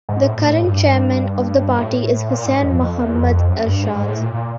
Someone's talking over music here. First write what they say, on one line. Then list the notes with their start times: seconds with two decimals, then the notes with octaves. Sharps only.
The current chairman of the party is Hussain Mohammad Ershad.
0.09 G#2
0.26 A2
0.38 A2
0.51 A2
0.63 G2
1.78 A2
2.29 A#2
2.46 G#2
2.63 F2
2.80 F2
2.97 E2
3.14 F2
3.31 F2
3.48 F#2
3.65 G2
3.83 G#2
3.96 G#2
4.08 A2
4.21 A#2
4.34 A#2